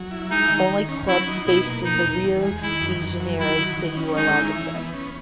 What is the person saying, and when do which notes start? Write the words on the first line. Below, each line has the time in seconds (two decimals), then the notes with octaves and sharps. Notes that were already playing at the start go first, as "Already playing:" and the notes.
Only clubs based in the Rio de Janeiro city were allowed to play.
Already playing: F#3
0.11 E4
0.31 G#3 D#4
0.49 D#3
0.69 D#3
0.89 C#4
1.07 F#3 E4
1.27 D#4
1.46 B2 E4
1.65 A#3
1.85 B2 D#4
2.04 E2
2.23 E2
2.42 G#3
2.62 D#3 E4
2.81 F#2
3.01 F#2
3.20 F#3
3.39 F#3 E4
3.59 D#3
3.77 D#3
3.97 C#4
4.16 G#3 D#4
4.36 E4
4.55 E3
4.74 B3
4.94 C#4